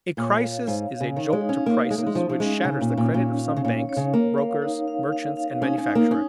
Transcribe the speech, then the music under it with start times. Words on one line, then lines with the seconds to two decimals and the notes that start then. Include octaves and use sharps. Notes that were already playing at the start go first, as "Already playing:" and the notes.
A crisis is a jolt to prices which shatters the credit of some banks, brokers, merchants, and manufacturers.
0.17 A#2 C#5
0.43 F5
0.67 G#2 F5
0.92 F5
1.00 C#3
1.16 D#3 C#5
1.33 G#3
1.41 D#4
1.49 C#4
1.66 A#3 F5
1.91 G#3 D#4
1.98 A#3
2.06 G#3
2.15 F3 C#4
2.30 F3
2.40 G#3 C#4
2.64 C#3 C#5
2.81 A#2
2.90 C#4
2.97 A#2
3.14 A#2 C#4
3.39 F5
3.57 C#3
3.65 A#2 C#5
3.89 C#5
3.97 C#3
4.13 A#3 C#5
4.38 F5
4.62 D#4
4.88 F5
5.13 F5
5.37 F5
5.62 C#4 D#4
5.78 C#4
5.87 D#4
5.95 A#3
6.11 C#4 D#4